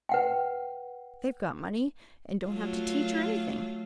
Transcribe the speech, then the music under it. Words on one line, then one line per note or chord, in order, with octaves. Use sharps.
They've got money, and don't have to teach or anything.
B4 F#5 G5
F#3 A3 F4